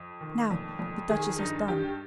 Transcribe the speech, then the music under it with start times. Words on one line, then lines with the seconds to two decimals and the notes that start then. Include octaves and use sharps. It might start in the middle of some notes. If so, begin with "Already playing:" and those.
Now--the duchess has done.
Already playing: F2
0.21 D#3
0.51 F2
0.79 F2
1.09 D#3 G#4
1.38 G2 D#4
1.68 G2 G4